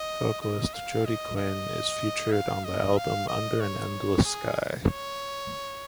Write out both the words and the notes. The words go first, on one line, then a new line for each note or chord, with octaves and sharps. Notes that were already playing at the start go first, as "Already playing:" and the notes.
Vocalist Jody Quine is featured on the album "Under An Endless Sky".
Already playing: D#5
D#5
F5
D#5
D#5
F5
D#5
F5
D#5
C#5
G#4
C#5